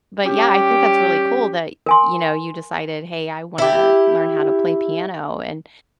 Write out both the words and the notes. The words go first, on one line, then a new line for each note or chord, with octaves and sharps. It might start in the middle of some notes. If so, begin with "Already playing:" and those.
but, yeah, I think that's really cool that, y you know, you decided, "Hey, I wanna learn how to play piano," and
G3 C#4 G4
A#4 G#5 C6
E4 G4